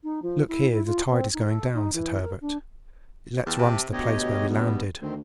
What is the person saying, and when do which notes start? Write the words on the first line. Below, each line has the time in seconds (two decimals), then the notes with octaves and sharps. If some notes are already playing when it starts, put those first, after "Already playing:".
"Look here, the tide is going down," said Herbert; "let's run to the place where we landed."
0.03 D#4
0.22 F3
0.48 E4
0.72 E4
0.85 F4
1.10 C4
1.33 D#4
1.46 A4
1.74 D#4
1.93 E3
2.22 A#4
2.41 D4
3.46 E2 G4 A5
3.58 C3
3.93 D2 B2 G4 C#5 D#5
4.49 G2 G3 B3
5.02 D2 D#3 C4